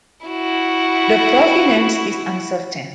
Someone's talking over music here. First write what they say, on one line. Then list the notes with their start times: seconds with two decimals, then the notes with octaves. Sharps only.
The provenance is uncertain.
0.26 E4 F#4